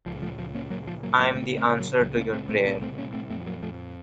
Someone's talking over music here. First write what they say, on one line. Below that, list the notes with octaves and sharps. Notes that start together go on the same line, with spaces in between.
I'm the answer to your prayer.
C#2 F3
F3 A3
C#2 F3
A#3 C#4
C#2 F#3 A#3
F3
C#2 F#3 A#3
F#3 A#3
C#3 A3 C4
A3 C4
C#3
F#3 A#3
C#2 F#3 A#3
A#3 C#4
C#2 A3 C4
A3 C4
C2 A#3 C#4
A3 C4
C2 A#3 C#4
A3 C4
F2 A3 C4
F#3 A#3
F2 F3 A3